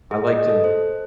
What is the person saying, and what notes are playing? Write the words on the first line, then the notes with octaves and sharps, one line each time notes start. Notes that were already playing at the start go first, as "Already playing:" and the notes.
I like to
G#4
D#5
A4
C5